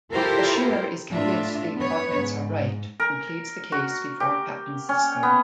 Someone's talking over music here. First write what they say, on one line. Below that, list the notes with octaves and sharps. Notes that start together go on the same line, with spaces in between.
Bashir is convinced the augments are right, and pleads the case before Captain Sisko.
E4 F4 G4 A4 A#4 C5
A2 D4 F4 E5
B3 B4 C#5
G#2
A#4
F#4
G4
C#4
B3